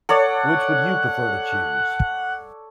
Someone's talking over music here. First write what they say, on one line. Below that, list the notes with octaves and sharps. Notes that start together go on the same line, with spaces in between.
Which would you prefer to choose?
A4 C#5 D5 F#5